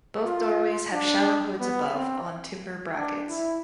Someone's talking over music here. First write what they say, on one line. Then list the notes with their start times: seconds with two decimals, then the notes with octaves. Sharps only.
Both doorways have shallow hoods above on timber brackets.
0.25 F4
0.93 D4
1.60 B3
1.94 C4
2.96 D4
3.29 E4